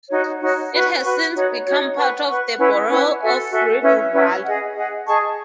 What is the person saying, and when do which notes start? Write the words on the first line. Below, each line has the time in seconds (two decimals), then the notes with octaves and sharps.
It has since become part of the borough of Ribble Valley.
0.09 D#4 F#4 C#5
0.40 D#4 F#4 C#5
0.72 F#4 B4 F#5 C#6
1.03 F#4 B4 F#5 C#6
1.34 D#4 F#4 C#5
1.65 D#4 F#4 C#5
1.96 B4 F#5 C#6
2.26 B4 F#5 C#6
2.57 C#4 E4 B4 F#5
2.89 C#4 E4 B4 F#5
3.20 F#4 A4 E5 G#5
3.51 F#4 A4 E5 G#5
3.82 C#4 E4 B4 E5
4.12 C#4 E4 B4 E5
4.43 G#4 D#5 F#5
4.75 G#4 D#5 F#5
5.06 G#4 D#5 A5 C#6